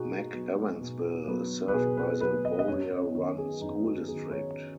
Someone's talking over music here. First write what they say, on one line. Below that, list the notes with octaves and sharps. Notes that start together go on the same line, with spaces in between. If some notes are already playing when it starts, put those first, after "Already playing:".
McEwensville is served by the Warrior Run School District.
Already playing: B2 B3 D#4 F#4 G#4
F#3 B3
B2
F#3 B3
B4
B2 G#4
B4
F#3 B3 B4
D#5
D#5
F#2 C#5
C#5
D#3 B3 C#5
G#4
F#2 D#4
F#4
D#3 B3 G#4
C#5